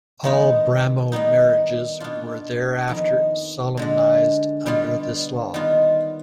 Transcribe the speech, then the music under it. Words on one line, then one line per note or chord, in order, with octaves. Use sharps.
All Brahmo marriages were thereafter solemnised under this law.
D#3 G#3 B3 D#4
D#3 G3 B3 D#4
B2 B3 D4 F4
F2 D#3 B3
D3 G#3 D4
B2 G3 B3 F4
D#3 G3 B3 F4